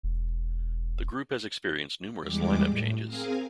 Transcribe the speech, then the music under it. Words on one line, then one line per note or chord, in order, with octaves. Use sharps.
The group has experienced numerous line-up changes.
E1
E2 G3 G#3 D6
A2
C4 G#4 A#4 F5 G#5